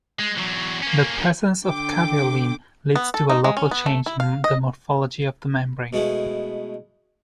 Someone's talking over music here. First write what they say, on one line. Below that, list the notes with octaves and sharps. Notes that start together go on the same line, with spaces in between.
The presence of caveolin leads to a local change in morphology of the membrane.
G#3
E2 F#3
A#3 C#4
D3 G5 D6
B3
A4
D#4
G#3
C#4
B3
A3
E4
F5
D#5
B2 G#3 A3 E4